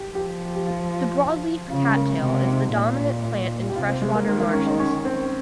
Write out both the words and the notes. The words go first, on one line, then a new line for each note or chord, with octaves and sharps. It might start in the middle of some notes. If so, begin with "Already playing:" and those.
The broadleaf cattail is the dominant plant in freshwater marshes.
Already playing: G4
F3 G4
G4
F4
C#3 F4
G#3
A#3
C3
D#4
A#2
G4
C3 F4
C4
G#3
A#3
D#3 A#3
A#3
C#4
D#4
C#4
C4